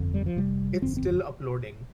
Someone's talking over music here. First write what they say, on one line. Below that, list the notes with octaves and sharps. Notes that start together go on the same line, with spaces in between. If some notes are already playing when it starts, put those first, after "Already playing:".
It’s still uploading.
Already playing: G1 F2 D3
G3
F3
F1 F2 C3 G3
G1 F2 D3 C4
C4